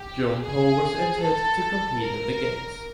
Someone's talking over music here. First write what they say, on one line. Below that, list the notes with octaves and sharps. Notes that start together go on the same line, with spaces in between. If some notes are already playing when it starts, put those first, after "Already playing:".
Joan Poh was entered to compete in the Games.
Already playing: G4
G#4
A4
A#4